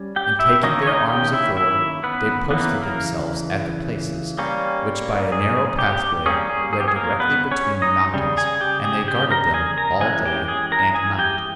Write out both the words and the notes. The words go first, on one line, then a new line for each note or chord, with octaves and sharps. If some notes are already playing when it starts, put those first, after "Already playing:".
And taking their arms of war, they posted themselves at the places, which by a narrow pathway lead directly between the mountains, and they guarded them all day and night.
Already playing: G3 C#4
G4 G5
E4 E5
D#3 A#3 C#4 D#4 D#5
C#5
D#4 D#5
G4 G5
E4 E5
E4 E5
B3 B4
C#3 E3 A#3 B3 B4
A#3 A#4
G3 A#3 C#4
G#4
G4
G3 A#3 C#4 G#4
G#4
G#4
G4
G#4
A#3 A#4
B3 B4
C#4 C#5
D#4 D#5
C#3 G3
G#4 G#5
G4 G5
G#4 G#5
G4 G5
A#4 A#5
G#4 G#5
A#4 A#5
E3 G#3 C#4 G#4 G#5
G4 G5
G#4 G#5
A#4 A#5
G#4 G#5
G4 G5